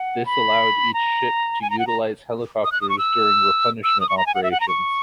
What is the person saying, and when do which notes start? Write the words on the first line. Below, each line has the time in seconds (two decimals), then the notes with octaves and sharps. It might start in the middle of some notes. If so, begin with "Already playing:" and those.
This allowed each ship to utilize helicopters during replenishment operations.
Already playing: F#5
0.26 B5
0.94 A#5
1.62 G#5
1.70 A#5
1.79 F#5
1.87 A#5
2.64 D#6
2.72 F#6
2.81 D#6
2.89 C#6
2.98 E6
3.84 E6
4.00 D#6
4.09 C#6
4.18 A#5
4.26 G#5
4.35 F#5
4.43 E5
4.51 F#5
4.60 A#5
4.68 C#6